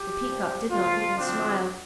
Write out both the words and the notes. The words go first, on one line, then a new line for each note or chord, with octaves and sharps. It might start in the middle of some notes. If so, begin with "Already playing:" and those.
The Peacock did not even smile.
Already playing: G4
G2 F3 C4
F2 D3 F3 A#3 F4
D2 D3 F3 C4 D4